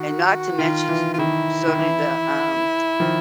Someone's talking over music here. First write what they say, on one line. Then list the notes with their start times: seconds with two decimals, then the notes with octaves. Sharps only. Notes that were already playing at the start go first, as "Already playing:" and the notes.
and not to mention s the so do the, um,
Already playing: D#3 F#4
0.58 D#3 F4
0.89 E3
1.14 F4
1.18 D#3 E4
1.68 D#3
1.79 E3
3.00 D#3 F3